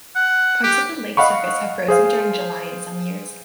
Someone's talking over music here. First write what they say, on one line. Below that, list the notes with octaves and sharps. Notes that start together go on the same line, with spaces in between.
Parts of the lake surface have frozen during July in some years.
F#5
G4
D#5 F5 F#5 B5 C#6
G#4 C5 F5